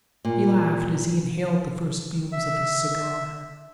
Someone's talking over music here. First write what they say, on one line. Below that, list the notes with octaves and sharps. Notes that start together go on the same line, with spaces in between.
He laughed as he inhaled the first fumes of his cigar.
A#2
E5